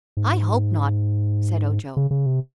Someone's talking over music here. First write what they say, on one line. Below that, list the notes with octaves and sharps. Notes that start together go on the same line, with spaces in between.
"I hope not," said Ojo.
G#2
C#3
C#3
C3